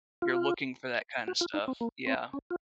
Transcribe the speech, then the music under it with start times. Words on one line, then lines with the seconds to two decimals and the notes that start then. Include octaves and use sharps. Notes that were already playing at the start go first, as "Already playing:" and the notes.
you're looking for that kinda stuff. Yeah.
0.22 F4
1.28 F#4
1.41 F4
1.54 D#4
1.68 C4
1.81 A#3
2.07 C4
2.33 C#4
2.51 F4